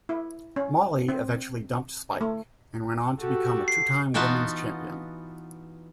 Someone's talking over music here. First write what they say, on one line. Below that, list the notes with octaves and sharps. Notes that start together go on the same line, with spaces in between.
Molly eventually dumped Spike, and went on to become a two-time Women's champion.
E4
C#4
C4
A3
F#4 G4 A4
C7
E3 B3 D#4 F4 F#4 A5